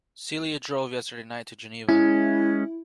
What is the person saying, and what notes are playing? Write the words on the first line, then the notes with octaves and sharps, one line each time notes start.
Celia drove yesterday night to Geneva.
G#3 C#4 E4